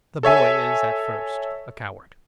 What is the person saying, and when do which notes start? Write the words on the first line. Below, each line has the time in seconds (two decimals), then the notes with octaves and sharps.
The boy is at first a coward.
0.23 A4 C#5 E5 G#5